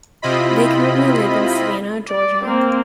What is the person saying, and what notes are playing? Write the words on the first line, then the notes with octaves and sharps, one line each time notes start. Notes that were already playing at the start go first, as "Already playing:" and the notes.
They currently live in Savannah, Georgia.
C3 C4 E4 F4 D#5 B5
D5
A#3 C4